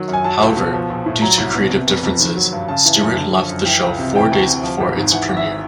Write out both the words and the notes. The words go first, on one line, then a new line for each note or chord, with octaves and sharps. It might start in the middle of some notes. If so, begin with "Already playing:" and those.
However, due to creative differences, Stewart left the show four days before its premiere.
Already playing: D#3 F#3
F#2
G#5
F#3 A5
C#2
B2
F3
A#1
A2
F#3 A#5
C2
B2
C3
F1
F2
D#3
F#3
G2
C#3 A5
E3
F#2
D3
F3
F#2
E3 G5
C#2
C3
E3 G5
D2
C3
F3
G#1
G#2
E3 F#5
G#1
E5